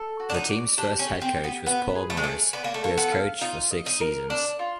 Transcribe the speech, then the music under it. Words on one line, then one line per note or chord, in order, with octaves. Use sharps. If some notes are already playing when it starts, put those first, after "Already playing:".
The team's first head coach was Paul Maurice, who has coached for six seasons.
Already playing: A4
F#4
D4
D#4
D5
D4 G4
C#4
G4
C4
G4
B3
B3 B4
G#4
A3
G#3
A3 G#4
B3 D5
A#3
A3
A#3 A4
B3
F5
D#4 F4
D#5
D#4
A#4
D4 D5
F4